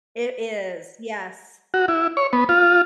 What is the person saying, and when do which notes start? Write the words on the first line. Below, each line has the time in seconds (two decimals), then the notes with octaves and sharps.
It is, yes.
1.74 F#4
1.88 E4
2.17 C#5
2.33 B3
2.49 F4